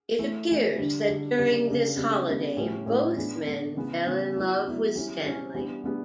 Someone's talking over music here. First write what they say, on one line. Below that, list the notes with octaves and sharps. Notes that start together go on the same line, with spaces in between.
It appears that during this holiday, both men fell in love with Stanley.
E3 A3 E4
E3 A3 E4
D3 G3 D4
D3 G3 D4
C#3 G3 D4
C#3 G3 D4
C#3 G3 B3 D4
C#3 G3 B3 D4
A2 G3 C#4 E4
A2 G3 C#4 E4
E3 B3 D4
E3 B3 D4
C#3 E3 B3
C#3 E3 B3
F#3 B3 E4
F#3 B3 E4
E3 G3 C#4 E4
E3 G3 C#4 E4
E3 G3 B3 D4
E3 G3 B3 D4